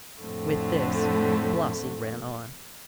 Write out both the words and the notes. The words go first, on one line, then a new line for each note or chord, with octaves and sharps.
With this Blasi ran on.
F2 A2 D3 A3 C4